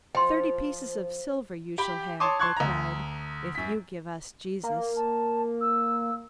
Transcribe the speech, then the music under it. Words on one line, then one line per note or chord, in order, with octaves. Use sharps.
"Thirty pieces of silver you shall have," they cried, "if you give us Jesus!"
F3 G5 C6
G4 G5 B5
C#5 A5 C6 D6 D#6
A5 C6 C#6 F#6 G#6
D2 A#5
F#2 B6
A#3
A5
E6